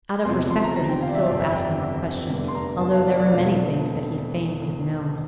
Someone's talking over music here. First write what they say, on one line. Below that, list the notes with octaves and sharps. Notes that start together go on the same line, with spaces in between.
Out of respect to him, Philip asked no more questions although there were many things that he fain would have known.
E2 C3 F3 C6
C6
A#5
A#5
G5
F5
D5
E5
G1 F2 C3 D5
E5
G5
F1 E2 D3 G3 D4
C6
A#5
A5
F5
D5
D5
E1 E2 D3 A3 C4 F5